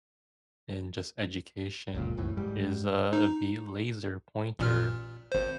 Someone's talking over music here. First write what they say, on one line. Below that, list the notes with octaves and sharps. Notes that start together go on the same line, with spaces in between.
in just, education is, uh, the laser pointer.
D1 C#2 A#2
C2 F#2 A2 E3
G#2 G3
D#4
A1 A#2 F6
G#1 C5